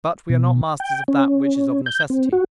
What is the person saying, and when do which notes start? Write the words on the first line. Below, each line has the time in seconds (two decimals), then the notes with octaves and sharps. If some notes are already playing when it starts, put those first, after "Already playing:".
But we are not masters of that which is of necessity.
0.29 B2
0.80 G5
1.08 C#4
1.86 G6
2.10 C4
2.33 F#4